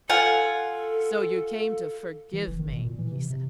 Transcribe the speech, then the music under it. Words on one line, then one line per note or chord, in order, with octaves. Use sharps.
"So you came to forgive me?" he said.
F4 A4 F#5 G#5
E3
F#1
D#3
B2
A#2
E3
C3
C3